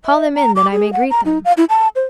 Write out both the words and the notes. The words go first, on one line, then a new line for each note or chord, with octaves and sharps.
"Call them in, that I may greet them."
E5
A#5
D6
G#4
F#5
A#5
D#4
F5
E4
A5
C5